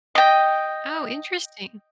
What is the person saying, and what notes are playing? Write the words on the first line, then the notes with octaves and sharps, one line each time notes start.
Oh, interesting.
D#5 G5